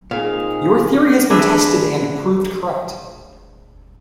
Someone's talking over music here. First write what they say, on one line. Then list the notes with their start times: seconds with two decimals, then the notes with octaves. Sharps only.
Your theory has been tested and proved correct.
0.11 A#2 C4 D#4 G#4 F5
1.30 A3 C4 D4 G#4 B4